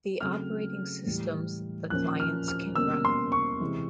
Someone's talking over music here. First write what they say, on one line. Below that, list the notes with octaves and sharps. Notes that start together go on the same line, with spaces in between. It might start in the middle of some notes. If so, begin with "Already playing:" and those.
The operating systems the clients can run on.
C#3 F#3 A3 C4 F6
A2 E3 G3
A#2 F3 A#3 C#4 F#6
F6
F6
B2 G3 A#3 C#4 E6
C6
C#6
C3 E3 G#3 C4